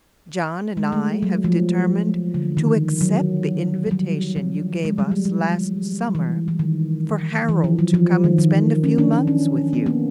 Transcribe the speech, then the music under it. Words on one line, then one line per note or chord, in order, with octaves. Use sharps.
John and I have determined to accept the invitation you gave us last summer for Harold to come and spend a few months with you.
G#3
A3
F#3
F3
D3
D#3
F#3
G3
F#3
F3
G#3
G3
F#3
F3
E3
E3
D#3
E3
F3
F#3
F3
D#3
D#3
F3
C#4
D4
D4
C#4
B3
A#3